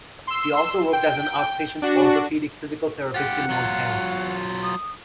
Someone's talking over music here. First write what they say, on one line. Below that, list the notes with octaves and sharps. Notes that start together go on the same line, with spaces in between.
He also worked as an outpatient orthopedic physical therapist in Montana.
C6 E6
G5
D4 F#4
F4 G4 F#5
F#3 F4
D#6